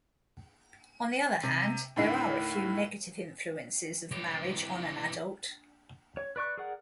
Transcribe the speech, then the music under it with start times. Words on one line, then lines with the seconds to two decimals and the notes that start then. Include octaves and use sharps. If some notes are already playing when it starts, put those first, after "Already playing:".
On the other hand, there a few negative influences of marriage on an adult.
1.43 C3
1.96 D#2 A2 D3
4.11 E3 G4
6.17 C#5
6.36 B4 D5 C#6 F#6
6.58 G#4 A#4 D5 F#5